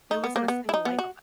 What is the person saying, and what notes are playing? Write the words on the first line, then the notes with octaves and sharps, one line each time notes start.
There wasn't a single light on.
D#4
B3
A#3
B3
E4
D#4
B3
F#4